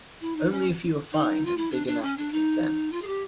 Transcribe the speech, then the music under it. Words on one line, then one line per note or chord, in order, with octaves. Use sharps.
Only if you are fine and big enough to consent.
E4
D#4
C#4
D#4
F4
E4
D4
D4
C#4
D4
D#4
F4
G#4
G4